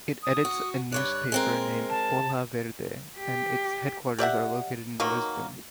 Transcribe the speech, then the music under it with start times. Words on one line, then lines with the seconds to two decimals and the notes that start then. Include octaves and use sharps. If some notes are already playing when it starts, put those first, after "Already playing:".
It edits a newspaper named "Folha Verde" and its headquarters are located in Lisbon.
0.23 D#6
0.45 F#4
0.92 G2 C#5 D5 F#6
1.32 G#3 C4 A#4
1.90 A5
3.18 G4
4.18 G4 D5 E5 F#5
5.00 B2 D#3 F#3 A#3